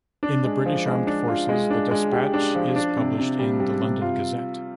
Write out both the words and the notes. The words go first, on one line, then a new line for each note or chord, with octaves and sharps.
In the British Armed Forces, the despatch is published in the "London Gazette".
D4
G#3
F3
G#3
D4
F4
G#3
D4
G#3
G4
D4
F3
D4
C3
C3
G3
G3
C3
F4